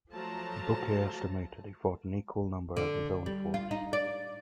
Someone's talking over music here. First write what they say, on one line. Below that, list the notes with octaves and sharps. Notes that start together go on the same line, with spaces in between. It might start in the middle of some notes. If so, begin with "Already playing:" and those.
Bouquet estimated he fought an equal number as his own force.
F3 F#3 A3 A5 A#5
D3
G3
F4
D#4
D5